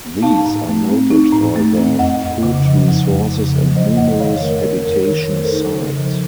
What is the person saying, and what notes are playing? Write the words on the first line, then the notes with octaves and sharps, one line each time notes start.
These are noted for their food resources and numerous habitation sites.
D#4 F5 A5
A2
A3
C4
D#4
A2
A3
C4
F2 D#5 F#5
F2
C#3
F3
F2
F2
C#3
F3
F2 C5 D#5
F2 D#5 F#5
D#3 C#5 F5
A3 A#4 C#5
F2 A#4
F2 A#4
D#3 A#4 C#5
A3 C5
A#4
A4 C5
D#4
C#3
F3